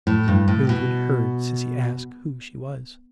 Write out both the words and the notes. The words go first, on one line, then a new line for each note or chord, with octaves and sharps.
Mildred heard Cissy ask who she was.
A2
G2
A2
B2